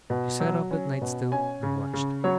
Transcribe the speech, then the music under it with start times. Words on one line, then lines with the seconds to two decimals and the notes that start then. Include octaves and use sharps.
She sat up at night still, and watched.
0.10 B2
0.40 F#3
0.71 C#4
1.01 B2
1.32 C#4 G#5
1.63 C#3
1.93 C#3
2.24 F#3 C#5